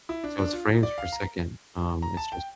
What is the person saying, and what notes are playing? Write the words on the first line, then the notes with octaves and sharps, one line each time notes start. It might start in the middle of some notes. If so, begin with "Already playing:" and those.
So, it's frames per second, um, it's just
E4
D4
D4
F4
D5
F5
A#5
A#5
A5
G5